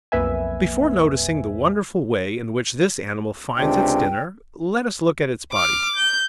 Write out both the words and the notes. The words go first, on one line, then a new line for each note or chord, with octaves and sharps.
Before noticing the wonderful way in which this animal finds its dinner, let us look at its body.
B1 F2 A#3 B4 E5 G#5
C#2 C3 D4 G5
D6 F6
G6